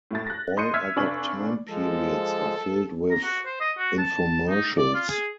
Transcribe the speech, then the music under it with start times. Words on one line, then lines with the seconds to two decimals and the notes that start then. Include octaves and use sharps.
All other time periods are filled with infomercials.
0.11 A2 E4 A6
0.27 F#6 A#6
0.57 D#5 C6 G6 C#7 D#7
0.74 E5 E6 F6 G#6 B6
0.96 F1 D4 G#5 C#6 F#7
1.69 F3 G#3 A4
3.10 A#5
3.23 F#4
3.45 C5
3.60 D#5
3.78 F#4
3.98 A5
4.49 D#4
4.77 D5
4.94 F4
5.09 G#4